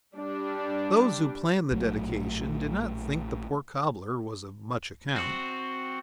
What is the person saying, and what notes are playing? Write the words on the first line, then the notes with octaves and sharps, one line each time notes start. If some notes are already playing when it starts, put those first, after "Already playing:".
Those who planned the dedication did not think the poor cobbler was of much account.
G3 D4
A#1 A2 F#3
C4 F#4